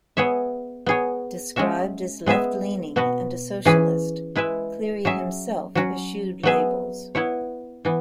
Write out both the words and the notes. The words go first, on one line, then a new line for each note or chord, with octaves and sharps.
Described as left-leaning and a socialist, Cleary himself eschewed labels.
B3 G#4 C#5 E5
B3 G#4 C#5
G#3 C#4 F#4 E5
G#3 B3 G#4 E5
B2 B3 F#4 B4
E3 C#4 G#4 B4
G#3 E4 B4 E5
F#3 C#4 G#4 E5
F#3 C#4 F#4
F#3 B3 G#4 B4 E5
B3 E4 C#5
E3 B3